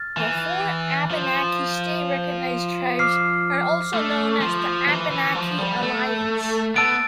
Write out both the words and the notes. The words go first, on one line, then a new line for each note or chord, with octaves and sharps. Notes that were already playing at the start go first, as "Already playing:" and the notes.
The four Abenaki state-recognized tribes are also known as the Abenaki Alliance.
Already playing: F6 A6
E3
F3
D6 F6 C7
A3
F3
E3
E3
F3
G3
A3
B3 A5 E6 A6 D7